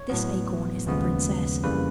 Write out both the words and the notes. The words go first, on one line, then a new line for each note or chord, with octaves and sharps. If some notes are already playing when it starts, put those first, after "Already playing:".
This acorn is the princess.
Already playing: C#5
A2 F#3 B3
D#2 C#3 F3 G#3 B3
F2 C#3 E3 G3 A#3 B4